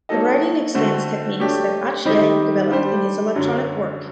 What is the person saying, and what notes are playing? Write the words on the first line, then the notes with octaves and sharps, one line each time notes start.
The writing extends techniques that Atchley developed in his electronic work.
F#3 A#3 D#4 A4 D#5
D3 A3 C4 F#4 C5
F#3 A3 D4 G4
D#3 G3 C4 D#4 G4
G3 D4 G4 C5
F#2 D3 F#3